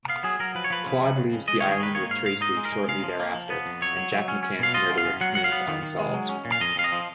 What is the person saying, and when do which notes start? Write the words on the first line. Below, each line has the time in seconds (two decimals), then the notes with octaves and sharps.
Claude leaves the island with Tracy shortly thereafter, and Jack McCann's murder remains unsolved.
0.08 B3 F5
0.24 F#3 G#4
0.39 F#3 A#4
0.55 F3 B4
0.64 C#5
0.70 F3 B4
0.86 C#3
1.01 F2
1.18 F2
1.33 C#3
1.48 G#3 D#5
1.60 C#5
1.64 D#3
1.72 G#4
1.80 D#3 B4
1.95 A#3 C#5
2.10 G#2 F5
2.25 G#2 F5
2.41 D#4 D#5
2.57 G#3
2.65 A#4
2.72 G#3
2.88 C#3 F5
3.04 F3
3.20 A#3
3.35 F3
3.50 B3
3.66 F2
3.81 F#3 C#5
3.97 F#3
4.12 F#3
4.28 C#4
4.43 C#4
4.59 B2 F5
4.74 F4 D#5
4.90 F#2
4.98 F5
5.05 F#2
5.21 F#3 F#5
5.35 F#3 F#5
5.44 F5
5.52 B3
5.68 D#3
5.83 D#3
5.99 G#3
6.14 F#3
6.29 C#4
6.45 A#2
6.52 F5
6.60 F2 D#5
6.76 F2 F5
6.84 D#5
6.92 F3